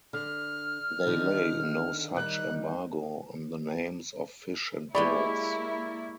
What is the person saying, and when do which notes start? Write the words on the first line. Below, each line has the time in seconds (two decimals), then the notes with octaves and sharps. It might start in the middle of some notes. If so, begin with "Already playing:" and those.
They lay no such embargo on the names of fish and birds.
0.13 D3 F6
1.06 D3 D#3 D#4
2.16 D#3 G3 D#4 F#6
4.95 G#3 A#3 E4 G4 G#4 D5 B5 C#6